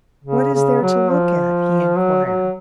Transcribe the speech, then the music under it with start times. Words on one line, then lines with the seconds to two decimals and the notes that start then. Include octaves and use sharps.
"What is there to look at?" he inquired.
0.24 C#3
0.54 C#3
0.82 F#3
1.11 F3
1.97 F#3
2.25 F#3